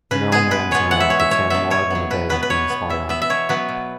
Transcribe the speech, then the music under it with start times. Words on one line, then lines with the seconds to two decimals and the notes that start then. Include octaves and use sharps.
No man’s nerve could stand more than a day of being spied on.
0.11 C#3 B4
0.32 G#3 B3 G#4
0.51 B2 B4
0.71 G#3 B3 C#5
0.91 E3 F#5
1.00 E5
1.10 B3 C#5
1.20 E5
1.31 B2 C#5
1.50 F#3 B3 E5
1.70 B2 C#5
1.90 F#3 B3
2.10 B2 B4
2.29 F#3 B3 B4
2.43 B4
2.50 B2 C#5
2.70 B3
2.89 E3 E5
3.09 B3 E5
3.22 E5
3.30 B2 C#5
3.49 F#3 B3 B4
3.69 B2